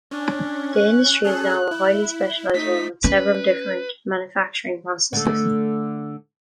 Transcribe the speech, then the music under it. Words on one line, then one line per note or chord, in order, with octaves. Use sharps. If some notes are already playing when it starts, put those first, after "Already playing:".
The industry is now a highly specialized one with several different manufacturing processes.
C#4 D4
F#6
C#4 G#4 A4
E4
A3 D#4 B6
C#4 B4
D3 A3 A4